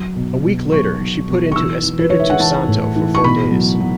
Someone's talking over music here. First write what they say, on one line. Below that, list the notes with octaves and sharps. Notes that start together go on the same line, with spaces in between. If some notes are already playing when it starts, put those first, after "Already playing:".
A week later, she put into Espiritu Santo for four days.
Already playing: F#3
B2
B2
F#3 C#6
F#3
B2
C#6
E3 E6
E3
B4
E3 C#5
E5
F#5
E3 A5
A2
E3
C#6
B2 B5
F#3
F#3